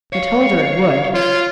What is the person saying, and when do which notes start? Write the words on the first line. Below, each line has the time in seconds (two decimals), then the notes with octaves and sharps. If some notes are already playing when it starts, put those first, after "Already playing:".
"I told her it would."
0.13 C#5 F5
1.14 F4 C#5